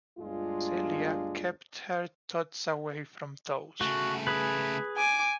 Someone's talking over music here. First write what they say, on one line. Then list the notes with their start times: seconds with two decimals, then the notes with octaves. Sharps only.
Celia kept her thoughts away from those.
0.19 G1 D2 G2 G#3 D4 F4
3.81 C#3 A3 F#4
4.27 G#4 B4
4.97 G#5 D6